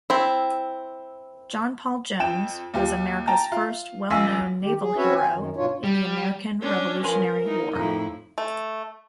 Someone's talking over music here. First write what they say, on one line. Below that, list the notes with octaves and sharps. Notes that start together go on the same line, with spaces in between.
John Paul Jones was America's first well-known naval hero in the American Revolutionary War.
C4 E4
F2 G5 E7
D#2 F4 G4
G5 A5 A#5
F4
F1 C#2 F5 G#5 E6 B6
D#3 G4
G#4
C4 C#4 F#4 B4 C#5 E5
C4 G#5
F#2 D#3
G#2 B2 D4 F4 C#5
G3
C#4 D4
F3 A#4 B4 G#5 C6
D#4 E4
F2 A2 D#4 E4
A3